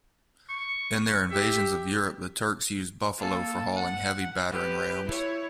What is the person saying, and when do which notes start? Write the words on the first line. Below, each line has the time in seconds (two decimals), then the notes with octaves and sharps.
In their invasions of Europe, the Turks used buffalo for hauling heavy battering rams.
0.49 C#6
1.31 G4 E5
3.18 A#3 A4
3.75 F#5
4.51 G4 B4
5.05 E4 C#5